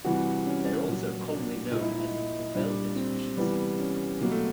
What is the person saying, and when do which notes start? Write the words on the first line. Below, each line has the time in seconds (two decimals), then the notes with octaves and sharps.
They are also commonly known as the velvetfishes.
0.05 C3 E3 G3 F#4
0.46 C#4
0.88 A#2 F#3
1.29 D4
1.71 A#2 F3 D#4
1.81 E4
1.89 D#4
1.98 E4
2.08 D#4
2.55 A#2 G3 D4
2.96 C4
3.37 C3 E3 G3 B3
3.79 C#4
4.20 B2 F#3 A#3
4.31 A3